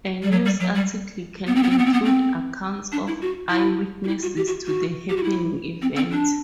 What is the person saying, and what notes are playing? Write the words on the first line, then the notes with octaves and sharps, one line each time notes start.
A news article can include accounts of eyewitnesses to the happening event.
G3
F#3
G3
F#3
G3
B3
C4
B3
C4
B3
C4
B3
C4
D4
E4
F#4
E4
F#4
E4
F#4
G4
F#4
F#4
G4
F#4
E4
C4
C4
D4